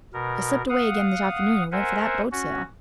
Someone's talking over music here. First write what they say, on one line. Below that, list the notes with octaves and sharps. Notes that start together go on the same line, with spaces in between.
I slipped away again this afternoon and went for that boat sail.
B2 A#4
F5 F#5 D#6
A#4 C5 E5 F#5 G#5
C#4 F#4